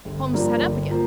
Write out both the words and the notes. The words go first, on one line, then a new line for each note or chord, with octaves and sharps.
Holmes sat up again.
G1
G2 F3 A#3 D4
G1
F3 A#3